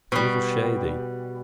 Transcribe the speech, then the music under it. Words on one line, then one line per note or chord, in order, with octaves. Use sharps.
A little shady.
B2 G3